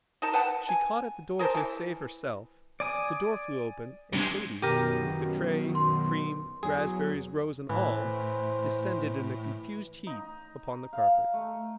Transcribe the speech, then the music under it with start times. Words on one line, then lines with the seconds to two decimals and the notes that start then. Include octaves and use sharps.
She caught at the door to save herself; the door flew open; and Katy, with the tray, cream, raspberries, rose and all, descended in a confused heap upon the carpet.
0.22 D#4 A#4 A5
0.34 B4 F#5 G5 A5
0.69 G#5
1.39 G#4 A#4 C5 A5
1.55 E3
2.80 D5 G#5 D#6
4.13 C3 G3 G#3 D4
4.62 F#2 B2 D#3 G4 A#4 G5 A#6 D#7
5.75 C6
6.63 E2 F#3 G#4
7.69 A2 E3 C5
10.07 D#4
10.93 F5
11.34 A3